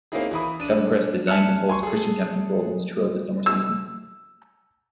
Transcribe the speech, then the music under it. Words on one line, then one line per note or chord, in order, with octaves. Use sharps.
Calvin Crest designs and hosts Christian camping programs throughout the summer season.
A#3 C4 C#4 D#4 E4 G#4
E3 E4 B5 D#6
D4 D#7
E5 G#5 A5 F6 F#6 C#7
G#5 C6 C#6
G#4 A4
E6